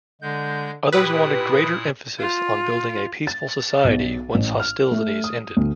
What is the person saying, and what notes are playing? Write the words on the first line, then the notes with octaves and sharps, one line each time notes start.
Others wanted greater emphasis on building a peaceful society once hostilities ended.
D3 G#3 G6
A#2 E4 G4 B4 D#6
F4
A6
B1
A1
F6
A3
D#6
D2